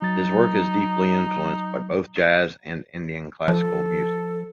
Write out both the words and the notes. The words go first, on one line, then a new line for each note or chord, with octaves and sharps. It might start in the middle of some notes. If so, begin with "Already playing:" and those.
His work is deeply influenced by both jazz and Indian classical music.
F#3 D#4 A6
F3 A4